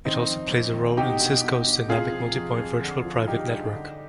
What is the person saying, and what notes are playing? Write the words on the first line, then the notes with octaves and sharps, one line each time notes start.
It also plays a role in Cisco's Dynamic Multipoint Virtual Private Network.
D#3 C4 D#4
F2
F2
D#3
B2 D#4 G4
B2
B2
B2
C3 F4 G#4
F3
F2
F2
D3
F3
G2 D#4 G4
G2
D3